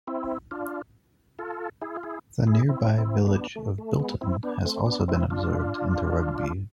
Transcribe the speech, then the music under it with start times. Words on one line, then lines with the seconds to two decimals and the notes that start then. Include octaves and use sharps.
The nearby village of Bilton has also been absorbed into Rugby.
0.07 C4 E4
0.51 D4 F4
1.39 F4 A4
1.81 E4 G#4
1.96 F4
2.03 E4 G#4
2.47 E4 G#4
2.69 C4 E4
2.98 C4 E4
3.27 B3 D4
3.56 A3
3.78 A3
4.00 G#3 B3
4.21 C4 E4
4.43 B3 D4
4.65 A3 C4
4.86 B3 D4
5.08 C4 E4
5.30 D4 F4